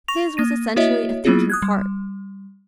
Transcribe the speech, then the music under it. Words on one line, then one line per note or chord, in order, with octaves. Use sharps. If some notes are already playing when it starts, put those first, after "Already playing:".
His was essentially a thinking part.
C#6 A#6 F7
A#3 A#6 D#7
A#3 E4 F#4 C#5 D#5 E5
F#3 A#3 B3 E4 F4 G#4
D#6 F#6 G#6
G3